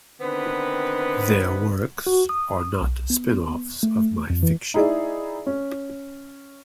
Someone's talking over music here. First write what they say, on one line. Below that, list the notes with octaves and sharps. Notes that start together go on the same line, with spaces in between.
Their works are not spinoffs of my fiction.
D3 D#3 B3 C4 B4
F#4
D#6
B1
B3
A3
F2
E3
D#4 E4 G#4 D5 E5
C#4